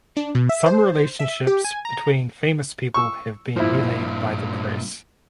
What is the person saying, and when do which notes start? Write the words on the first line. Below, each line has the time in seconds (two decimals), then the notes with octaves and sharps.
Some relationships between famous people have been relayed by the press.
0.17 D4
0.35 B2
0.49 E5
0.66 C5
1.19 E5
1.47 G4
1.64 G#5
1.85 A#5
2.94 C#6 E6
3.56 G2 A#2 F3 E4